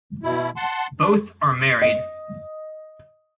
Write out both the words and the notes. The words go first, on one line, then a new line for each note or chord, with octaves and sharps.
Both are married.
B2 E4
F#5 A5 C6
D4
D#5